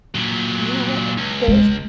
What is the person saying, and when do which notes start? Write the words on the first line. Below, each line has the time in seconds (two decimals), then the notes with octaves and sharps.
You know, what, there's
0.15 A#2 F#3
1.18 C#2
1.48 G#3